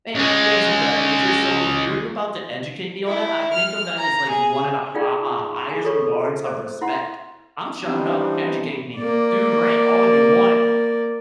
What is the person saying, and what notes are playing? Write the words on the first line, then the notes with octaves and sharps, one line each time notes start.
and things of that nature, so, if you're about to educate me on that, I think of that as, like, one of the ha ah, highest regards of respect. I'm shutting up. Educate me. Dude, rant all ya want
C#2 G#3
E4
F6
A#5
G#4
D#4 F4 G#4 D5 F5 G5
G#4 G#5
F4 A4 C#5 C#6
C5
E4 F#5 C6
E3 G3 B3 C4 D4 D#4
A#3 D5